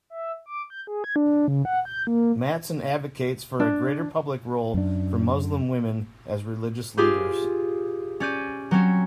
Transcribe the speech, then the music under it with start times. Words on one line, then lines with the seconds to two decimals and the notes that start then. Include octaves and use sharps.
Mattson advocates for a greater public role for Muslim women as religious leaders.
0.10 E5
0.46 D6
0.70 G6
0.87 G#4
1.04 G#6
1.16 D4
1.48 C#3
1.65 F#5
1.85 G6
2.07 A#3
3.60 D4
4.74 F#2 D4
6.97 F4 G4 G#4 C5
8.20 C#4 D5 G6 D#7
8.71 F#3 C4 C#4